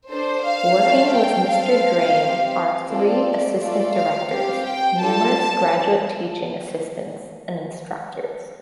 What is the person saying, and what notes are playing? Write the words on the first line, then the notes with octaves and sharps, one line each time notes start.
Working with Mr. Drane are three assistant directors, numerous graduate teaching assistants, and instructors.
D4 A4 C5
F5
A3 C4 A4
G5
C4 A4 F5
C4 G4
C4 F4 A4 D5
A3 F4 A4 D5
F5
C4 G4 F5
G5
D4 F4 A4 A5